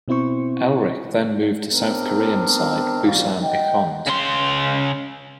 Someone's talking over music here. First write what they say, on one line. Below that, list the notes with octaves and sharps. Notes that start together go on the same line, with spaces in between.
Elrich then moved to South Korean side Busan I'cons.
B2 C4 E4 C5 C#6
B3 C4 D4 A#4
A#1 G3 F4 F#4
D#5 F#5 G5
C#3 C6